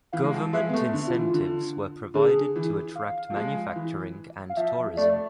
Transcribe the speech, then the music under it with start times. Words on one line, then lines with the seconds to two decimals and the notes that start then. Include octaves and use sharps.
Government incentives were provided to attract manufacturing and tourism.
0.13 E3 F5
0.24 G#3
0.33 F3
0.53 G#3 E5
0.69 B3
0.74 A3
0.93 D3
1.07 F4
1.14 E3
1.34 D3
2.14 D3 G#4
2.56 E3
2.95 F5
3.30 F3
3.36 G#3
3.76 E3
4.50 F5
4.57 F3 E5
4.97 A3 D5